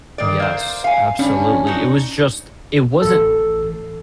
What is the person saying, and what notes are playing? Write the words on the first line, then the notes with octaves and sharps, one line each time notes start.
Yes, absolutely, it was just it wasn't
D#3 D5
A#3 C5
F5 G#5
G3 C#4 D4
D#4 F#4
A1 A4